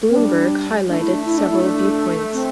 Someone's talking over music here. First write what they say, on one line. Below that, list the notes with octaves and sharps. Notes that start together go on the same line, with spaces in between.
"Bloomberg" highlighted several viewpoints.
C4
G3 D4
A3 D4
E4
D4
E4
D4
E4
D4
C4